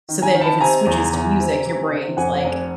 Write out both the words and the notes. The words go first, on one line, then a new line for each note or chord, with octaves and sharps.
so then if it switches to music, your brain's, like,
D#3
G#5 A#5
D#3
A5 B5
C3 G#5 A#5
E2
E2
C3
C3
C3
F2 F#5 G#5
F1